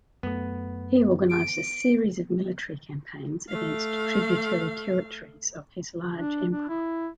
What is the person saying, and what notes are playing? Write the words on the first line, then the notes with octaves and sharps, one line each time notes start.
He organised a series of military campaigns against tributary territories of his large empire.
F#2 A3 B3
D7
A3 F5
D4
D4
E4